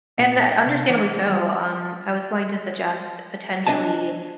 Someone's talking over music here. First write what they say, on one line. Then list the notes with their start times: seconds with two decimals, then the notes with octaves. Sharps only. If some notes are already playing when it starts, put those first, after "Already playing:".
and, uh, understandably so, um, I was going to suggest potentially,
0.19 A#2
0.52 D#5
0.66 C3
0.89 E3
1.30 G3
3.67 D4 D#5 G#5 A5